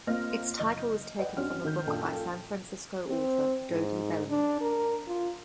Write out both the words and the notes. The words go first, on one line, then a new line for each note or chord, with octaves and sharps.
Its title was taken from a book by San Francisco author Dodie Bellamy.
A#3 C4 F4 D#5 F6 A#6
F#1 D#5 G6
B4 D5 D#5 F#5 G5
G2 C4 C#4 F#4 F6
D#3 G6
F#2 A#2 D4 F4 A4 G5
C4
G#2
D4
A#4
F4